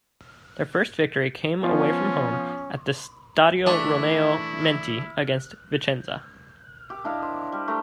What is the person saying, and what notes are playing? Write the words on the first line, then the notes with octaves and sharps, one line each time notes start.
Their first victory came away from home at the Stadio Romeo Menti against Vicenza.
F3 B3 C#4 F4
E3 A3 D4 E4
G4 D6
D4 E4 D#5 F5
C5
G3
A3 D4 G4 A#5